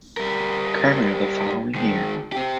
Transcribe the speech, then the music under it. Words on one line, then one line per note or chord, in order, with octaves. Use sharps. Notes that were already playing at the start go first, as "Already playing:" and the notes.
Cramer the following year.
G3 A#4
D#3 G#3
C4 G4